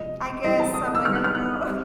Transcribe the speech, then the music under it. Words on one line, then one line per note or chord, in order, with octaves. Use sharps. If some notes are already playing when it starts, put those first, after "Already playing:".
I guess I'm, like, I don't know,
Already playing: C3 F3 G#3 D#5
E3 G3 C4 D#4 D#5
A5
D#6
E6
D#3 G3 B3 F6
F#6
F6
F#6
G3 C4 D#4